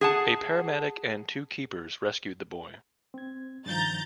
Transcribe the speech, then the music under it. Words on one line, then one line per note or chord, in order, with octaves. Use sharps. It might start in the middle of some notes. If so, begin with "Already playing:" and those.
A paramedic and two keepers rescued the boy.
G#4 F#5 A5
C4 G#6
G2 D#3 F3 A#5 G6 A6